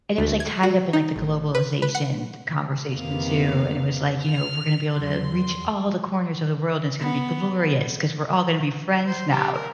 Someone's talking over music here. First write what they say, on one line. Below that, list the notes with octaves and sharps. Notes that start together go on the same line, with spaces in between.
And it was, like, tied up in, like, the globalization conversation too, and it was like, you know, "We're gonna be able to reach all the corners of the world, and it's gonna be glorious 'cause we're all gonna be friends now."
D2
G#6
F#4
D#4
A1
B4
B4
F#5
F2 C3 D#3 A#3 B3 F5
F6
E2 F#3 C6
B3
C5
G3
A#4